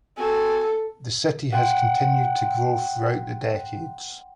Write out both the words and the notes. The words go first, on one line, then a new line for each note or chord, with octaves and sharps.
The city has continued to grow throughout the decades.
C4 F#4 A4 G#5
F#5 G5 C6